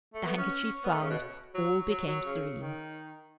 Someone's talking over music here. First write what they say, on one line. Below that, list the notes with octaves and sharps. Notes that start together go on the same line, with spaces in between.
The handkerchief found, all became serene.
A3
B3
C#4
B3
A3
C#3
B2
F#3
F#3
F#3
C#3
D#3